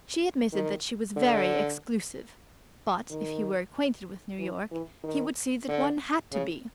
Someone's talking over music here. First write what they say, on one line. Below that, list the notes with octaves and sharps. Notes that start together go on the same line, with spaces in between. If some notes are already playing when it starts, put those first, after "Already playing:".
She admitted that she was very exclusive; but, if he were acquainted with New York, he would see that one had to be.
D#3
D3
D#3
E3
E3
D#3
D3
C#3